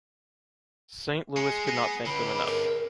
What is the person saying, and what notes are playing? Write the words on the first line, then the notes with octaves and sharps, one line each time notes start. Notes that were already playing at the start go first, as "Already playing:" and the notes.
Saint Louis could not thank them enough.
G#3 G#4 C7 C#7
B3 A#6 C7 D#7
C#2 D3 G4 B5 C7
A#4